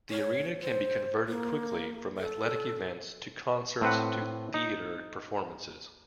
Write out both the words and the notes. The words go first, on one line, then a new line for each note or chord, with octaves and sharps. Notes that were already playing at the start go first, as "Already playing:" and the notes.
The arena can be converted quickly from athletic events to concerts, to theater performances.
C#5
C5
A#3
A4
A2 C4 B4 F#5
D#4